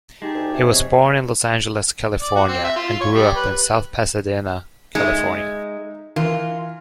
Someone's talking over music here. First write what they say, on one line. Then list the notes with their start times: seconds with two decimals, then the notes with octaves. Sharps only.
He was born in Los Angeles, California and grew up in South Pasadena, California.
0.22 G#3 D#4 G4 G#4 A5
0.35 D2 G#4
0.54 C3
0.73 F2 B2 C#5 D#5
2.21 D5
2.35 F#4
2.48 C4
2.64 E5
2.76 F4
2.88 F4
3.00 C#5
3.15 G3
3.36 B4
4.95 G#3 D#4 E5
6.16 E3 F4 A#4